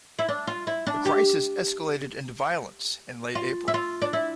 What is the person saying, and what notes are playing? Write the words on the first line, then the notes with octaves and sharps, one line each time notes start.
The crisis escalated into violence in late April.
E4
D4
F4
E4
D4
G4
F4
E4
F4
D4
E4